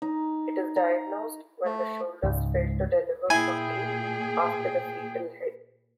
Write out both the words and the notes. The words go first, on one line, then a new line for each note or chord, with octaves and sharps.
It is diagnosed when the shoulders fail to deliver shortly after the fetal head.
D#4
A#5
A3
C#2 G#2
A#2 E4 G#4 G5 G#5